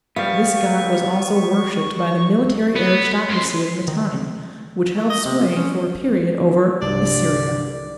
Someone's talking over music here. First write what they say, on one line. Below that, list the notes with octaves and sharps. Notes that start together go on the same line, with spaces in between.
This god was also worshipped by the military aristocracy of Mitanni, which held sway for a period over Assyria.
G3 B3 F5 C#6
B3
F#2 C6
D#3
A3
D#5
C3
F3
C#4
C2 G2 D5